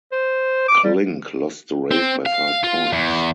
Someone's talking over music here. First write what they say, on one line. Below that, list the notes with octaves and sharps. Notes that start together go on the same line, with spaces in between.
Klink lost the race by five points.
C5
D6
G3
C4
F5
F4
E2